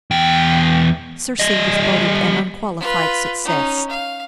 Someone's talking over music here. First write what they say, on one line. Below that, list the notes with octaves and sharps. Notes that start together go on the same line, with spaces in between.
"Circe" was voted an unqualified success.
E2 G5
G3 D#5
F4 B4
C#4 D#4
F5